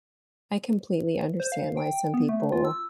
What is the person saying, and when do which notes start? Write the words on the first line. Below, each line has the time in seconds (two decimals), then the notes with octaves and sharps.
I completely understand why some people,
1.40 C5
1.52 F5
1.77 G5
2.14 B3
2.29 A3
2.52 F4
2.65 E6